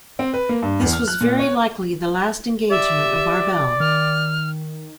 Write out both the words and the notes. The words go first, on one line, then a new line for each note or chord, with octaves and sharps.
This was very likely the last engagement of "Barbel".
C4
B4
A#3
G2
E2
F6
F#6
A#2
C#5
G4 D5 E5
D#3 F6